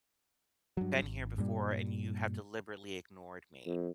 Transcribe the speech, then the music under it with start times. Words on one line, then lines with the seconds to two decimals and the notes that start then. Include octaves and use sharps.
been here before, and you have deliberately ignored me.
0.77 G2 F#3
1.02 G#1
1.38 G2 A#2 G3
3.66 F2